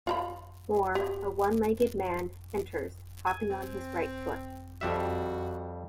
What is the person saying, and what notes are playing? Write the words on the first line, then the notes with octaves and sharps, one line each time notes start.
Moore, a one-legged man, enters, hopping on his right foot.
F4 A#5 B5
G4
G#5
C4
F2 G3 F#4 E5